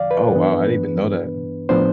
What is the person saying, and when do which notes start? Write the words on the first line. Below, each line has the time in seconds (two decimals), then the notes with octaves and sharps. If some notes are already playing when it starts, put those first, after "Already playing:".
Oh, wow. I didn't even know that.
Already playing: E2 D3 F3 D5 F5
0.11 B4
0.33 G2 E3 B3 D4
1.69 A2 F3 B3 D4 C5